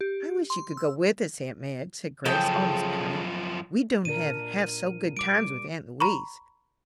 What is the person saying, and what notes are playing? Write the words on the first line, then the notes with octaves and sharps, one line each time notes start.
"I wish you could go with us, aunt Madge," said Grace, almost pouting; "we don't have half so good times with aunt Louise."
G4
C6
E6
F#2 C#3 F3 A4 G5
A#2 D4 A#4 D#7
G3 D6 D7
A#5 B5 C#6